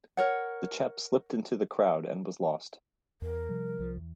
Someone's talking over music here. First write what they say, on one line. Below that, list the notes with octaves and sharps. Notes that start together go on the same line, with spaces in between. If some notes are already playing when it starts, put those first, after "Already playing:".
The chap slipped into the crowd and was lost.
A#4 C#5 F#5
E2 A#4
C3 F3 G3
C2 F3
E2